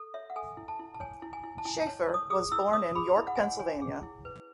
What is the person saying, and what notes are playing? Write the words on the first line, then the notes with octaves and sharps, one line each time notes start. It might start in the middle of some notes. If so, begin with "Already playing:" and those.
Sheffer was born in York, Pennsylvania.
Already playing: A4
C#5 E5
F#5
A4 G#5
E4
A5
E4
A5
C#5 G#5
E4
G#5
E4
A5
E4 G#5
A5
C#5
C#5 D#6
G#4 D#6
E4 E6
C#5 D#6
G#4 B5
E4
F#5
G#5
C#5 F#5
C#5 G#5
G#4
E4
B4